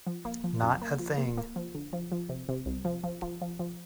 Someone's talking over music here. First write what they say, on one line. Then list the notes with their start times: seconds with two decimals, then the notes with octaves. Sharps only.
Not a thing.
0.06 F3
0.25 A#3
0.44 F3
0.63 F#2
0.82 A#3
0.99 F3
1.18 A#3
1.37 A#3
1.56 F3
1.75 D3
1.93 F3
2.12 F3
2.29 C3
2.49 C3
2.66 C2
2.85 F3
3.04 F3
3.22 F3
3.41 F3
3.59 F3